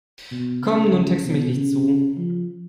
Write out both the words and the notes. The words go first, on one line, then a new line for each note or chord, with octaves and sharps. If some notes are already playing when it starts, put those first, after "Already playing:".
Komm, nun texte mich nicht zu.
B2
C#3
C#3
B2
C#3
F3